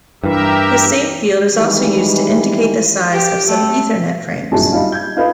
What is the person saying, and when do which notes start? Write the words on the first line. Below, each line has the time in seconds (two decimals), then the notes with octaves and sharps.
The same field is also used to indicate the size of some Ethernet frames.
0.24 G2 E3 G4 A#4 E5
1.55 D#3 E3 G3 G#3
3.12 G4
3.49 A3
4.52 G1 F#2 A#2 E4 G#4 A5
4.73 G3 D#4 F4
4.92 G6 G#6
5.16 D#4 F4 A4 B4 D#5